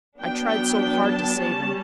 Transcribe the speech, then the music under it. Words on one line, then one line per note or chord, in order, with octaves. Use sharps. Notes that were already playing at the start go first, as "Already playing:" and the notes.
"I tried so hard to save him."
F#3 B3 D4 G5
G5
G5
A5
G3 C#4 A5